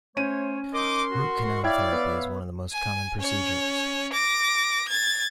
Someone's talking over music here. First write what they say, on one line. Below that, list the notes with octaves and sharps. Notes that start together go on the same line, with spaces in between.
Root canal therapy is one of the most common procedures.
A3 C#4 C5 C#5 D#7
D#4 A#4 D#5 C6 D6
F#4
E4 C#5 D5 E5 F5 G5 G#6
B3
G#5
C#4 C#5
D6 A#6
G#6 A6